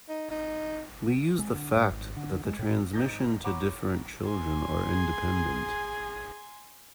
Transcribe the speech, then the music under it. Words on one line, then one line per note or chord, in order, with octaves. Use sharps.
We use the fact that the transmission to different children are independent.
D#4
D#4
G#3
D3
G#2
G#1
D3
G#3
A2
G#1 D#4 G6 A6 A#6
C#5 F#5 A#5 B5 C#6 D6
G#5 C6
G#4